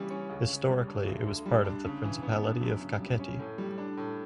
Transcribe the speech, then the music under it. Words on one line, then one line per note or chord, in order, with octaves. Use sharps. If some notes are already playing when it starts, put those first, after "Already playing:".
Historically it was part of principality of Kakheti.
Already playing: C#3 E3 G3
C#4
C#2
C#3
G3
D4
D2
D3
G3
D4
C#3
E3
B3
D4
F#2
C#3
G3
C#4
A2
G3
D4
A2